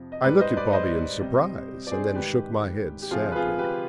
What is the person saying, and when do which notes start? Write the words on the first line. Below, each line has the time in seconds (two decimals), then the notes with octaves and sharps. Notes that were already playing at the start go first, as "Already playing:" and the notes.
I looked at Bobby in surprise and then shook my head sadly.
Already playing: F2 C3 F3
0.12 D#5
0.24 G#2 G3 B4 D5
0.40 C5 D#5
0.57 B4 D5
0.72 C5 D#5
1.20 C3 G3
1.87 D5
1.91 G#4 C5
2.15 G#2 D#3 G#3 G4 B4
3.02 G4
3.11 C3 F3 G#3 F4 G#4
3.32 B4
3.36 F4 G#4
3.59 G4 B4